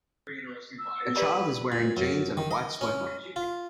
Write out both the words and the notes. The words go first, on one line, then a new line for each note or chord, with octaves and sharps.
A child is wearing jeans and a white sweater.
E6
G4 B4 D5 A#5
A#2
F#2
D#3
D#5
C#4
F4